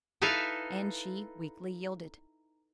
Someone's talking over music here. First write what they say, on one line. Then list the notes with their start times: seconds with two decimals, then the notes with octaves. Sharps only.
And she weakly yielded.
0.22 D#4 E4 A4 B4 E5 F5